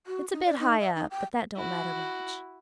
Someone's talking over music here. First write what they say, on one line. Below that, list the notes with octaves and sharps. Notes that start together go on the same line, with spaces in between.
It's a bit high up, but that don't matter much.'
F#4
D#4
D5
D#4
E5
D#4
G5
E4 F#4